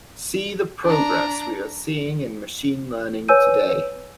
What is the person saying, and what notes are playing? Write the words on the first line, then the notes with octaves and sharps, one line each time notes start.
See the progress we are seeing in machine learning today.
D4 A#5
B4 C#5 G#5 E6 G6 D#7